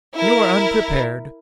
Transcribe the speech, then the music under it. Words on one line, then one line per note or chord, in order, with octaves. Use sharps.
You are unprepared.
E4 A#4